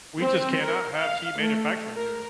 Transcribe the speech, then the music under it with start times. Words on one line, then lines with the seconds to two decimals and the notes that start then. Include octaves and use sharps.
We just cannot have cheap manufacturing here.
0.21 C4
0.65 A#4
0.98 F5
1.41 A3
1.96 A#4